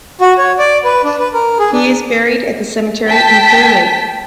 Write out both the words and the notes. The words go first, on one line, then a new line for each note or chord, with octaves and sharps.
He is buried at the cemetery in Clear Lake.
F#4
C#5
D5
B4
D4
B4
A#4
G#4
D4
G5 A5 B6